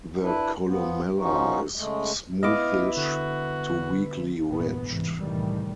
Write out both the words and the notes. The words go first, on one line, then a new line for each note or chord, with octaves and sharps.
The columella is smoothish to weakly ridged.
D4 E4 B4
F3 B3
F3 C#4 D#4 F#4
C#3 G#3 A3
B3 E4 D#5 F5 D6
D3 F#4
G1 E2 A#2 E3 B3
C2 G#2 E3
C2 A2 D#3 E3 G3 A3